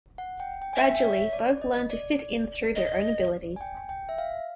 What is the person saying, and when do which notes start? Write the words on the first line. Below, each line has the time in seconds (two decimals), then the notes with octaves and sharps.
Gradually, both learn to fit in through their own abilities.
0.18 F#5
0.40 G5
0.62 G5
0.73 E5 G#5
0.82 G5
1.04 C#5
1.33 D5
1.62 D#5
1.90 D5
2.75 D#5
3.56 G#5
3.61 G5
3.89 G5
4.09 E5
4.18 F5